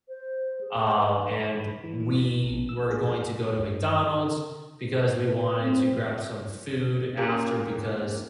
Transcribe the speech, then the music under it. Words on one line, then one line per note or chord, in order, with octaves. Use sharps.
um, and we were going to go to McDonald's, because we wanted to grab some food after, because
C5
G#4
B4
B5
E3
E3
B2
A#1
E6
G#4
G2
B4
C4
A#3 C#4 F4 G4 G#4 A#4